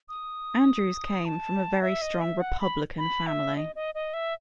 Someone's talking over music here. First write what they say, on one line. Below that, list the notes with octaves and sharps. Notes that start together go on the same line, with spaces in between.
Andrews came from a very strong republican family.
D#6
A5
E5
D#5
E5
F#5
B5
B5
E5
D#5
D#5
D#5
E5